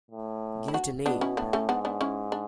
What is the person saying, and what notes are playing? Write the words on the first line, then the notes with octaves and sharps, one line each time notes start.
Give it a name.
A2
E4
D4 F#4
B2 B3 D4
C#4 E4
A2 B3 D4
A3 C#4
G#2 B3 D4
B3 D4
C#4 E4
D4